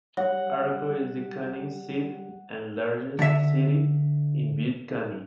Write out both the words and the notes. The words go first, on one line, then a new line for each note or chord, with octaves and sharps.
Arco is the county seat and largest city in Butte County.
G3 C#5 F#5
D3 E5